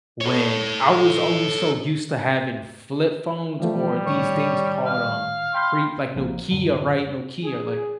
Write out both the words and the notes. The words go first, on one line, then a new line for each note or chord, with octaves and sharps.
when I was always so used to having flip phones or these things called, um, pre like, Nokia, right? Nokia, like
A4 C#5
E3 F3 G3 A3
A2 D#3 C#5
F5
G5 B5 C6 G6
A1 F3 G#3 A#3
F#2 A2 D3 F#3
G#4